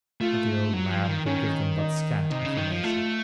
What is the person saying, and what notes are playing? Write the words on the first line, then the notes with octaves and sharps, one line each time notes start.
But the old man could give them but scant information.
A3 F4
F#3
F3
D#3
D#3 C#4
D#4
C3 D#4
C#3
D#3
F3
A3 F4